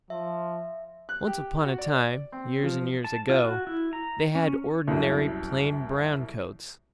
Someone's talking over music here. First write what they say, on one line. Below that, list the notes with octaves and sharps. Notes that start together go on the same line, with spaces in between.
Once upon a time, years and years ago, they had ordinary plain brown coats.
F3 E5
F#6
G4
F#4
D5
C4
F3
A5
F4
F#4
E4
A#5
C#4
C2 F#2